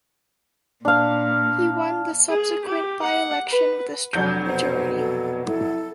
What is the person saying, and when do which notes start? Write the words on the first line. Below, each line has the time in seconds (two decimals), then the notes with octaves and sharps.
He won the subsequent by-election with a strong majority.
0.85 A#2 D4 F5
2.28 G#4
2.65 G4
3.02 F#5
3.48 B4
4.13 F1 F#3 G6
4.47 B2 C5
4.97 A4
5.46 E4 A4